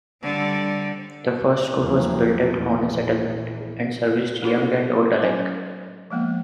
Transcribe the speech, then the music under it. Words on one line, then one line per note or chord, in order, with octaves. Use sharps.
The first school was built at Horne Settlement, and serviced young and old alike.
D3 G3
F1 E2 F#3 A3 A#3 C4
A#1 E2
A#3 D#4 E4 F#4 A4 C#5
F#3 C#4 G#5
F3 G#3 A#3 B3